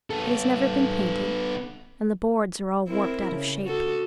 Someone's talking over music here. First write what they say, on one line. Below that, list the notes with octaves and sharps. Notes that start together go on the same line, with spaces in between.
It has never been painted and the boards are all warped out of shape.
B3 A4
C4 E4 A#4
C#3
F#4 A4